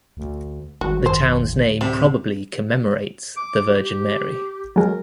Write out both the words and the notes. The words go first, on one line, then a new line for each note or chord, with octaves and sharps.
The town's name probably commemorates the Virgin Mary.
D2
G#1 G3 G#3 F#4
F#2 D#3 C5
D1
C3 G3
D6
G4
F#3 G#3 A#4